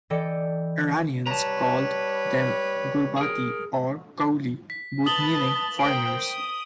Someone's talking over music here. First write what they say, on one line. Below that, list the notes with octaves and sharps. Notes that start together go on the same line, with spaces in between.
Iranians called them "gurbati" or "kouli", both meaning "foreigners".
E3 A4 D5 D#5 G5 C#7
G3 B4 C#5 A5 A#5
G#4 A#4
B6
B4 A5 D#6 A6 F#7 G7
A#4 C5 G5 D7
D#6